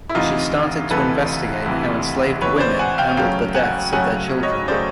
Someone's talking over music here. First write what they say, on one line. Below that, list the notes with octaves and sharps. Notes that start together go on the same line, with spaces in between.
She started to investigate how enslaved women handled the deaths of their children.
E4
D2 C3 E3 D#4 F4
D2 C3 E3 A4 B4
D2 C3 E3
D2 C3 E3 B4 C#5
C5 D5
F#5 G#5
F5 G5
F#2 C#3 F#3 A3 C#4 F5 G5
F#5 G#5
F#2 C#3 F#3 A3 C#4 F#5 G#5
C#5 D#5
C#3 F#3 A3 C#4 C5 D5